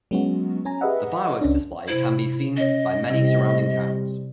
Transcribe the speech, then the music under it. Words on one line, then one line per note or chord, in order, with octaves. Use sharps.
The fireworks display can be seen by many surrounding towns.
F#3 G#3 B3 C#4 F#4
C#4 G#5 A#5
G4 G#4 B4 D#5 E5 F#5
C#2 C#4 D4
C3 E4 C5 G#6
C#4 C#5 D#5
C3 G3 C4 E4